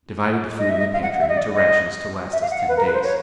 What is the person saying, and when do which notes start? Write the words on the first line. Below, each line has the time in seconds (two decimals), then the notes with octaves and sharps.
I divided the food in the pantry, into rations to last us ten days.
0.59 D#5
0.69 E5
0.80 D#5
0.93 F5
1.02 F#5
1.20 E5
1.29 D#5
1.37 D5
1.54 D#5
2.32 E5
2.42 F5
2.51 F#5
2.59 F5
2.68 B4
2.77 A#4
2.86 B4
2.94 C5
3.03 C#5